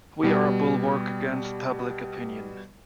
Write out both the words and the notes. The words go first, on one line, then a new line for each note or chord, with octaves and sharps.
We are a bulwark against public opinion.
B2 G3